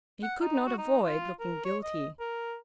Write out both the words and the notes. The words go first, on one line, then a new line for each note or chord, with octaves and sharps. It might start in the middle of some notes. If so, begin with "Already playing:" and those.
He could not avoid looking guilty.
F#5
D#4
F#4
D#4
F4
A#4
C#5
D#5
A#4